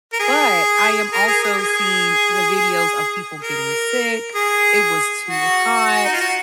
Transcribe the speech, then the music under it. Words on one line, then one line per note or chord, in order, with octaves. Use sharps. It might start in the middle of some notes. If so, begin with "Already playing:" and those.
but I am also seeing the videos of people getting sick, it was too hot,
A#4
G#4
A#4
G#4
G#4
G#4
A#4
G#4
F#4
D#4
F4
F#4